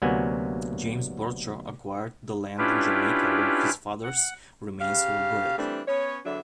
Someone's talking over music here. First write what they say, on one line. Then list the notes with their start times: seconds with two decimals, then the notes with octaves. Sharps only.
James Bradshaw acquired the land in Jamaica where his father's remains were buried.
0.02 D2 C3 F#3 A#3 B3 G#5
2.58 C#4 D4 E4 F4 G4 B4
4.03 F#5
4.81 C#3 G4 F5
5.58 E3 G3 A3 C4 D4
5.88 B3 C#4 C#5
6.25 E2 D3 F#3 D4 E5